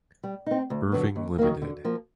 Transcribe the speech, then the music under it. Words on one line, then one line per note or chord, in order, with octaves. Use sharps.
Irving Ltd.
G3
C4 D#4
D2
D3 F#3 B3
D#2
D#3 F#3 A#3
D3
F3 A#3